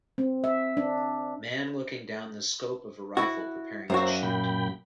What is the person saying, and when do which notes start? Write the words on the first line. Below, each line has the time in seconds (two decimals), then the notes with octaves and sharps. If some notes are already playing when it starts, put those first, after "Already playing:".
Man looking down the scope of a rifle preparing to shoot.
0.18 C4
0.44 E5
0.77 D4
3.17 E4 F#4
3.90 F#2 A#3 F#4 C5 E5 A#5
4.23 A#2 G5 B5